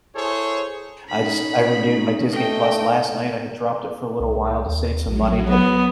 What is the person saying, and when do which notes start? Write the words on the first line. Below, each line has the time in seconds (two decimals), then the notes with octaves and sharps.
I just I renewed my Disney+ last night, I had dropped it for a little while to save some money, but
0.16 E4 G#4 A4 C5 C#5
1.09 C#4 D#4 B5
2.32 A3 D#5 G5
4.20 C2
4.66 D#2
5.06 A#1 F#3
5.49 B3